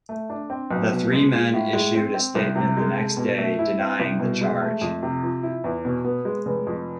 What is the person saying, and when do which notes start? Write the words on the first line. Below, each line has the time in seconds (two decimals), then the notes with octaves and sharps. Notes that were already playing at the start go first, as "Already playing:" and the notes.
The three men issued a statement the next day denying the charge.
0.09 A3
0.30 D4
0.50 C4
0.71 B1
0.92 B2
1.13 G#3
1.33 F4
1.53 A2
1.73 G#3
1.95 C4
2.14 C4
2.35 C2
2.56 C3
2.77 G#3
2.98 A4
3.17 B2
3.38 A3
3.59 E4
3.79 C4
4.00 C2
4.20 B2
4.41 G#3
4.62 A3
4.81 F2
5.03 C3
5.23 F3
5.43 E4
5.64 E2
5.85 B2
6.05 B3
6.25 G#3
6.46 F1
6.67 F2